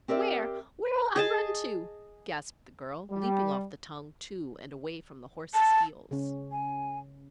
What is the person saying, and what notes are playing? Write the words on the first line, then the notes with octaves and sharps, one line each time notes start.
"Where, where'll I run to?" gasped the girl, leaping off the tongue, too, and away from the horses' heels.
C4 G4 A#4 D5 E5
G#4 D#5 A5
G3
A5
C#3 C#4
G#5